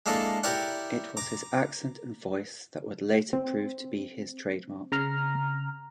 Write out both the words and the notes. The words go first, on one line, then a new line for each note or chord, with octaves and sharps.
It was his accent and voice that would later prove to be his trademark.
G#3 A#3 D4 E4 A4
E4 G4 A#4 C#5 D5 F#5
A#5 D6
C4
C#3 A#5 F6